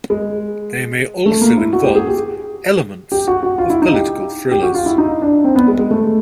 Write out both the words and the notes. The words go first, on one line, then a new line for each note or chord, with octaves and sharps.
They may also involve elements of political thrillers.
G#3
A3
A#3
E4
F#4
G4
G#4
G4
G4
F#4
F#4
F4
E4
D#4
G4
G4
F#4
F4
E4
D#4
D4
C4
B3
G#3
G#3
A3